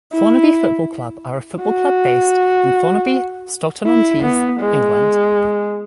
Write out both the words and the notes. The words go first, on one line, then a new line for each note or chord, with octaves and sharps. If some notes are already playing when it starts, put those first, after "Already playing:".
Thornaby Football Club are a football club based in Thornaby, Stockton-On-Tees, England.
E4
F#4
E4
B3
G#3